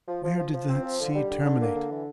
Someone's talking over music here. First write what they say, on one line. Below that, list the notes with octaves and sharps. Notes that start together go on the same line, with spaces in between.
Where did that sea terminate?
F3
F3
F3
F3
C4
F3
D3
G3
D3
D3
A#3
D3
E3